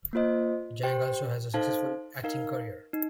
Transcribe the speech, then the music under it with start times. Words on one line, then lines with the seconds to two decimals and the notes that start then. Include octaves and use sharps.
Jang also has a successful acting career.
0.13 A#3 F4 C5 D#5
0.83 G4 C5 G5
1.54 D#4 A4 C5 F5 A5
2.23 D#4 A#4 F5
2.93 D#4